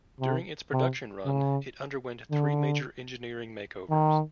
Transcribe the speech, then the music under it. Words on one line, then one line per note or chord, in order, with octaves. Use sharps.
During its production run it underwent three major engineering makeovers.
C3
C3
C#3
D3
D#3